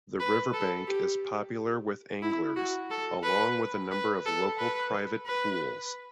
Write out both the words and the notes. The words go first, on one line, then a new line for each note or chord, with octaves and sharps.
The riverbank is popular with anglers, along with a number of local private pools.
B4
A4
G4
E4
F#4
A4
B4
B4
A4
B4
B4